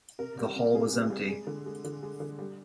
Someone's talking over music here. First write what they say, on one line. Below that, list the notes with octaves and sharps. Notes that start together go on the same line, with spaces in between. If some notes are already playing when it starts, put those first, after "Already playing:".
The hall was empty.
C3 A#4
G3
C3
C3 G#4
G3
G3
G#3
D3
G#3
D3
G#3
D3
G3